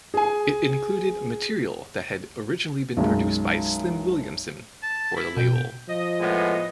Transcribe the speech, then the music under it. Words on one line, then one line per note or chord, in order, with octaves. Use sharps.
It included material that had originally been produced by Slim Williamson for the label.
G#4 G#5
B1 F#2 G#3
A5
E4
B2 G5
F3 D#5
A2 G#3 B3